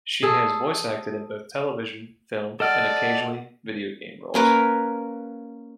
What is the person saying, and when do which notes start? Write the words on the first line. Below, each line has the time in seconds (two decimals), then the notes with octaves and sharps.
She has voice acted in both television, film and occasionally video game roles.
0.23 G#4 A4
2.60 A4 D5 D#5 F#5 F6
4.34 A#3 C#4 A#4 B4